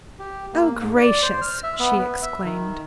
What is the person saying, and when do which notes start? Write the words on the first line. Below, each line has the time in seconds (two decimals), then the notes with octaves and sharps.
"Oh, gracious!" she exclaimed.
0.19 G4
0.53 A#3
0.80 G#2
0.96 D5
1.22 C5
1.41 F6
1.63 E5
1.79 B3
1.99 B4
2.22 E5
2.45 D#3